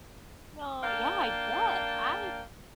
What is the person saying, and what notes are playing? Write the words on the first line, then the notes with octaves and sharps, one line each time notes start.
No, yeah, I bet. I
A#3 D4 F5 G5 A5